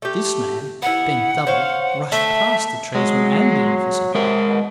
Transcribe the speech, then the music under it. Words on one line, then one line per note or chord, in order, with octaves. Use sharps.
This man, bent double, rushed past the tradesman and the officer.
A3 G4
B3 E4 F#5
C5 C#5 F5
A3 E5
F#3 G#3
C3 G#3 A#4
B2